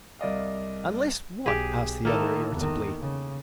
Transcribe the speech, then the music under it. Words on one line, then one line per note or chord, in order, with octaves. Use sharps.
"Unless what?" asked the other, irritably.
C2 D5 D#5 F5
B1 G4 G#4
D#3 A#3 E4 A4
E2 D#3
C#3